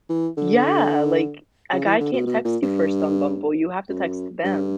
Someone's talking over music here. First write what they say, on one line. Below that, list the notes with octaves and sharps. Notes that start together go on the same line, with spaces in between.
Yeah, like, a guy can't text you first on Bumble. You have to text them,
E3
D3
C#3
E3
D3
B2
B2
A#2
G2
F#2
G2